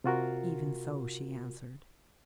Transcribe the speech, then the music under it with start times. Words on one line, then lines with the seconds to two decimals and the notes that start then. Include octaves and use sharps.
"Even so." she answered.
0.04 C3 F4 F#4 A#4